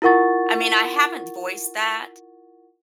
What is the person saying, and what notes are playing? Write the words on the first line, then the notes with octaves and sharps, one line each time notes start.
I mean, I haven't voiced that,
E4 F4 A#4 F#5 C#6 A6